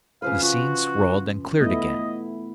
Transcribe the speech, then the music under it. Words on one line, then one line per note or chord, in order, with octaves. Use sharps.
The scene swirled and cleared again.
C#3 F3 B4 F5
F4 F#4
A3 B3 E4 D#5